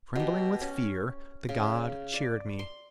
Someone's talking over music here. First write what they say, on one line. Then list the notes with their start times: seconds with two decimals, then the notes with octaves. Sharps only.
Trembling with fear, the god cheered me.
0.16 B2 G4
0.61 C#4
1.49 C#3
2.14 D5
2.59 C6